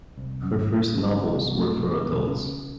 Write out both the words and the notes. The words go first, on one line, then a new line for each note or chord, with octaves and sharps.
Her first novels were for adults.
C2
F#2
G#1
G2
C#3
C2
A3
B2
D#1
C#3